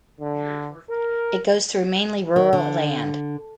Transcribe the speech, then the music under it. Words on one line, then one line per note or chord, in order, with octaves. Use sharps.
It goes through mainly rural land.
D3
A#4
D#3
D3